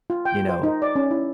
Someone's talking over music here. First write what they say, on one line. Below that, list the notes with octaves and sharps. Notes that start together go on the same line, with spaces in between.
you know,
F4
G5
C5
D#4
D5
C#4
E4